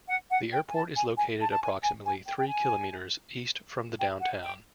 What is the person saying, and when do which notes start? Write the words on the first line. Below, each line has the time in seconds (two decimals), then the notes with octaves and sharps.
The airport is located approximately three kilometers east from the downtown.
0.09 F#5
0.31 F#5
0.53 G5
0.69 G#5
0.75 A5
0.96 G#5
1.18 G#5
1.40 A5
1.51 A5
1.62 G#5
1.83 G#5
2.05 G#5
2.27 G5
2.38 G5
2.48 G#5
4.00 G5
4.21 F#5
4.44 G5